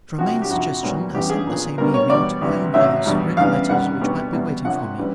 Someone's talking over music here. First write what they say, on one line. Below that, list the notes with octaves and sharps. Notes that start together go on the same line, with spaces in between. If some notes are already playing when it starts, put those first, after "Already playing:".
At Romayne's suggestion, I sent the same evening to my own house for any letters which might be waiting for me.
C2 C3 F3 F#4
G4
F2 C3 F3 F#4
B1 A#2 G3
E2 C#3 E3 G3 G4
G#4
B1 A#2 F3
B1 B2 G3 A#4
C#5
E2 B2 G3 D5
D2 C3 E3 G3
A1 A2 F#3 E5
E2 B2 G3
E2 C#3 E3 G3 F5
F#2 D#3 G3 F#5
C2 B2 G3
E2 B2 G3
C2 C3 F3 F#5
C#3 E3 G3